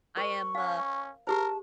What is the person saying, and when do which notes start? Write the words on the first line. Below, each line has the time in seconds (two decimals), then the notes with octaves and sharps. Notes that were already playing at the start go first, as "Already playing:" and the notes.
I am, uh
0.17 A#4 C5 C#6
0.55 C#4 F5
1.27 G4 G#4 A#4 C5 A5